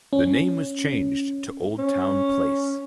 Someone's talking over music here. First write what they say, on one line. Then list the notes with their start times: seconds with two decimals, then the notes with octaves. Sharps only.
The name was changed to Old Town Place.
0.13 C#4
1.78 C#4